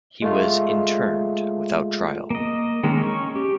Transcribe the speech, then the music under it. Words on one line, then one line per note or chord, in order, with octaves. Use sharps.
He was interned without trial.
G#3 A3 F4
A#3 D#5
D#3 G#3 A#3 C#4
C#4 C#6
G4